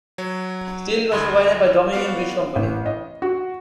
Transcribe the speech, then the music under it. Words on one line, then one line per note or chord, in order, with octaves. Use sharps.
Steel was provided by Dominion Bridge Company.
F#3 C#5
D2 G2 B5 C6 D#6 G#6
B3 F#4 D5 F5
A1
D#5
F#4